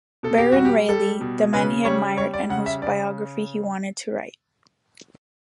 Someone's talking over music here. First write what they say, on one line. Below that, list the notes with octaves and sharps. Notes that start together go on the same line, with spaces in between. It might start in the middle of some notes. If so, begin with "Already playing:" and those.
Baron Rayleigh, the man he admired and whose biography he wanted to write.
B2 A4
G4
G3 F#4
G4
G3 A4
B2
C#3 B4
G3 C#5
G3 C#5
D5
C#3 F#5
E5
C#3 D5